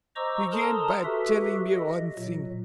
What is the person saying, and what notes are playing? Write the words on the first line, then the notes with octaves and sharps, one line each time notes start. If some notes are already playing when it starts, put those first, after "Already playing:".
Begin by telling me one thing.
C5 D#5 A#5 C#6 D6 E6
A4 A#4 A5 A#5 C6 D#6
F#4 G4 A4 B4 E5
D#5
A#2 F#3